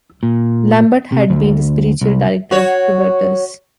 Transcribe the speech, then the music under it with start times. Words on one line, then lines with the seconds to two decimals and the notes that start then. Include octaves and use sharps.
Lambert had been the spiritual director of Hubertus.
0.23 A#2
1.12 C3
1.30 D2
2.01 C2
2.51 F#4 C#5